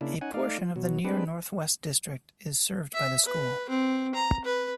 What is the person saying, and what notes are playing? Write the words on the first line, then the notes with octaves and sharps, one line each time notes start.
A portion of the Near Northwest district is served by the school.
C#3 A#3 D4 E4
C#4 D#4 F#5 G#5
A3 D#4 D5 F5
F3
B2 F#3
G3 G#3 C4 D4 B4
E5
B4
C4
A#5
B4